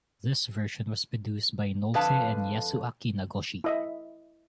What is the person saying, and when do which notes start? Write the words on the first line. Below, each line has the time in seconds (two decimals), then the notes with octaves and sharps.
This version was produced by both Nolte and Yasuaki Nagoshi.
1.94 F2 D3 B4 F5 A5
3.64 E4 D#5 E5